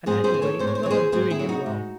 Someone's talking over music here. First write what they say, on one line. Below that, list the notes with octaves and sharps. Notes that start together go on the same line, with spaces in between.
And anyway, you're not doing it well.
G#2 G#4 C5
G#4 C5
E3
A4 C#5
G#2 C5
C#5
C5
C#5
E3 G#4 C5
G#2 G#4 C5
E4 G#4
F#3
D#4 F#4
G#2